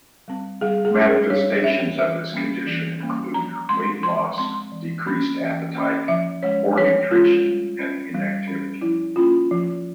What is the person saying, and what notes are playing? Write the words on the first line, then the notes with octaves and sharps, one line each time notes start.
Manifestations of this condition include weight loss, decreased appetite, poor nutrition, and inactivity.
G3 C4
G3 G#4
G#4
C#4 G#4
A#4
G3 C#5
C#4 E5
E3 E5
G3 A#3 C#4
E3
G3 A#3 C#4
F3 A#5
G#3 C4 C6
F3 C6
G#3 C4 C6
E3
A#3 C#4
E3
A#3 C#4
F3 E5
G#3 C#4 C#5
F3 C#5
G#3 C#4 F4
G3
C#4
G3
C#4
F3 E4
A#3 C#4 F4
F3